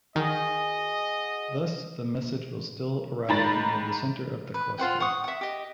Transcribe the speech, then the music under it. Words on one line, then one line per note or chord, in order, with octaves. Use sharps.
Thus, the message will still arrive near the center of the cluster.
D#3 F#4 G#4 D#5
G#2 D#3 A#5 B5 A6
B4
F4 C5 F#5 G5
F#5 C#6 D#6
E5 F#5
G4 D#5